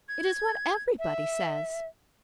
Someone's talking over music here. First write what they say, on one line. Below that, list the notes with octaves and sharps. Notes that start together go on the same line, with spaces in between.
It is what everybody says.
G#6
E5